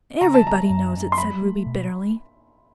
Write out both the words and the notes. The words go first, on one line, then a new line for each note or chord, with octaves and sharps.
"Everybody knows it," said Ruby bitterly.
C#3 A#5
A5
F#3 A#5
F#2
F#2
C6
F#3 B5
A3
B2